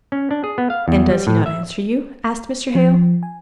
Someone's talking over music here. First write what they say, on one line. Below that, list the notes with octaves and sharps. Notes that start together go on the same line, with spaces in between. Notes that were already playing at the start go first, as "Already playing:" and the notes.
'And does he not answer you?' asked Mr. Hale.
C#4
D4
G#4
B3
F5
E2
G3
A2
E5
F3
G#5